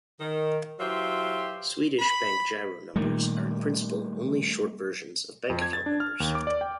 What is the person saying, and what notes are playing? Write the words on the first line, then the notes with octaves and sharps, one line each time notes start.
Swedish Bankgiro numbers are in principle only short versions of bank account numbers.
D#3
E3 F#3 F4 G4 C5 E5
B5
A#2 D#3 G3 A3 A#3
F2
G#6
A6
D4
F6
D#2
D6
D5
G5